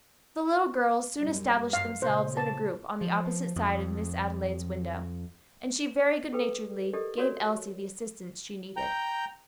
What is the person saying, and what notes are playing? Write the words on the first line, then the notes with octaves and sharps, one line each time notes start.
The little girls soon established themselves in a group on the opposite side of Miss Adelaide's window, and she very good-naturedly gave Elsie the assistance she needed.
F#2 G3
F#2 F5
A#2 C#3 C5
A5
F3
F2
E5
G#4 A4 B4 G5
G4 A4 A#4 D5 D#5
F#4 A#4 C#5 D5
G5 A#5 G6